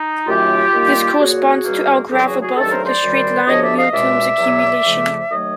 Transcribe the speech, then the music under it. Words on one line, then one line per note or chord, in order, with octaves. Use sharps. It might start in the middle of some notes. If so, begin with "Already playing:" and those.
This corresponds to our graph above with the straight line real-terms accumulation.
Already playing: D#4
F#2 D#3 F#3 A3 F4 G4
D#2 D#3 G3 A#3
A#2 F#3 A#3 F#4 G#4
C#2 B2 G3 A#3
E2 C#3 F#3 G4 A4
F#4 G#4
F#4 G#4
A#4
G2 D#3 F#3 A3 G4 A4
A#4 C5
C5 D5
F#2 D#3 G3
D2 C3 F3 C#5 D#5
D5 E5
D#5 F5
C#2 B2 G#3 D5 E5
E2 B2 F#3
F2 C#3 F3 A3
D#2 D#3 F#3 A3 C#5 D#5